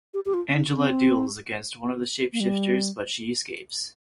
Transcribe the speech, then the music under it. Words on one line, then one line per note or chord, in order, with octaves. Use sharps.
Angela duels against one of the shapeshifters but she escapes.
G4
G4
F4
D#4
C4
A#3
G3